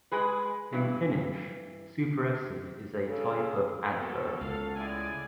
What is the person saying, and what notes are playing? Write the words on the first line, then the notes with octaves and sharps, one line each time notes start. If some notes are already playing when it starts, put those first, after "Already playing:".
In Finnish, superessive is a type of adverb.
G#3 G#4 B4
G2 E3
C#3 A4
A#1 D#2 A#3 B3 F#4 A4
C#2 F#4 A4 F5
A2 G#3 E4 D5 G#5